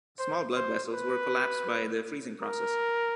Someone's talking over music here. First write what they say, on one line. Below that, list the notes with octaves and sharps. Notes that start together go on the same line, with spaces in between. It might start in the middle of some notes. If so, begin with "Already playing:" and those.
Small blood vessels were collapsed by the freezing process.
C5
C5
B4
A#4